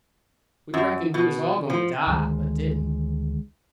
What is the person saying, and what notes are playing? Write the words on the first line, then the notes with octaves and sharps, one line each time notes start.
We reckoned we was all going to die, but didn't.
F#2
B2
F3
D2 D#3 F#3 G#3